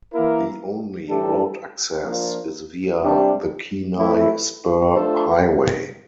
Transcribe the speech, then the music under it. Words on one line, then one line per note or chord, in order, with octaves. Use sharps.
The only road access is via the Kenai Spur Highway.
E3 A#3 E4 A#4
A2 E3 G3 D4 A4
F3 A#3 D4 F4
C3 G3 D4
A2 E3 A3 E4
A3 D4 F4 A4 C5